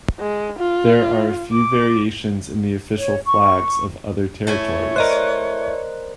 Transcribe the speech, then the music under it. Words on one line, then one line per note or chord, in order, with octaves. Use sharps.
There are a few variations in the official flags of other territories.
G#3
F4
D6
C#5
C#6
A3 E4 C#5 G#5
A#4 C5 D5 D#5 F#6